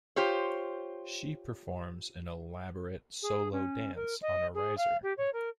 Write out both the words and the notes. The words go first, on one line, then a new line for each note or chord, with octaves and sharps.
She performs an elaborate solo dance on a riser.
F4 G4 C5 C#5
G#4
C#4
A#4
D#5
G#4
F5
G4
C#5
A#4